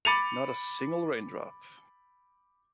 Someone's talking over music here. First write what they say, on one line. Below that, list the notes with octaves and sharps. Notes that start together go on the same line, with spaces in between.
Not a single raindrop!
B5 D6 A6 C#7 D#7 F7